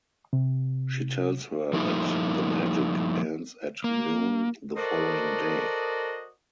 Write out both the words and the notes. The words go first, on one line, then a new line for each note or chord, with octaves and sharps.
She tells her that the magic ends at noon the following day.
C3
F3 G3 A3 A#3 D#4 E4
A#3
F#4 A4 A#4 C5 D5 D#5